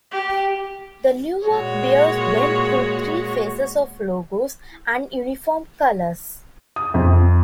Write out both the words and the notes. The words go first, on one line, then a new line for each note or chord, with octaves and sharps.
The Newark Bears went through three phases of logos and uniform colors.
G4
A#2 G#3 F#4 C#5
D#6
F2